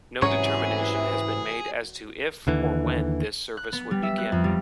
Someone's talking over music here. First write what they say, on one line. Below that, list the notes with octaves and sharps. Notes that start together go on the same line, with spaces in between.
No determination has been made as to if or when this service would begin.
G#2 C3 E3 F#3 C#4 G#4 C#5
D#2 D3 E3
F#6
B3
G3
E5
F#6
F2
G3